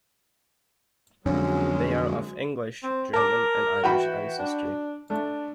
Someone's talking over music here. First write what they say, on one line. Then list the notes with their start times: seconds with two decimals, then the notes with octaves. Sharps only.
They are of English, German, and Irish ancestry.
1.26 F2 D3 F#3 G#3 C#4
2.83 C4
3.13 A#4 A5 D6
3.84 E3 F#4 G5 B5
4.39 D4
5.10 A3 D4